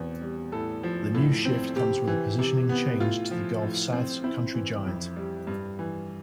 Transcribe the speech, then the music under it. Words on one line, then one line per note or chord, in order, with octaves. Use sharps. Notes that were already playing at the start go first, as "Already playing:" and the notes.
The new shift comes with a positioning change to "The Gulf South's Country Giant".
Already playing: E2 B2 C4
G3
A2 A4
F3
A2
C4
C3 G4
E3
C3
B3
A2 F4
F3
A2
C4
C4 E4
E3
F2
G3
G2
E3